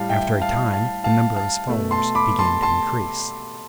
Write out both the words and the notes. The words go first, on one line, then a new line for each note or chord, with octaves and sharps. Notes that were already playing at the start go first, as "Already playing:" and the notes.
After a time the number of his followers began to increase.
Already playing: A2 G3 F5 A5
E5 G5
F5 A5
F5 A5
F5 A5
F5 A5
B2 A3
A5 C6
B5 D6
A5 C6
A5 C6